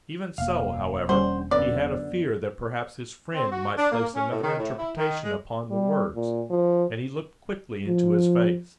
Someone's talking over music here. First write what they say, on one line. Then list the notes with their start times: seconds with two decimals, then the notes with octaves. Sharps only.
Even so, however, he had a fear that perhaps his friend might place another interpretation upon the words, and he looked quickly into his face.
0.38 E1 A#3 F5
1.09 G3 C#4 D4 C5 F#5
1.51 F#2 D3 B3 D5
3.33 C4
3.52 F#4
3.78 D4
3.92 A#3
4.15 C#4
4.31 A2
4.43 D#3
4.59 A2
4.78 E4
4.97 D#3
5.23 G#3
5.71 G3
6.16 A#2
6.50 F3
7.87 F3